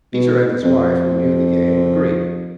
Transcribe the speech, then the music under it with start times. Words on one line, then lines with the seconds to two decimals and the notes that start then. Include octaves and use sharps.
Peter and his wife, who knew the game, agreed.
0.14 B2
0.64 F2